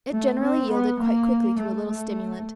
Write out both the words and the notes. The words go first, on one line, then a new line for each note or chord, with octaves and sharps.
It generally yielded quite quickly to a little stimulant.
A3
C4
B3
A#3
A3
A3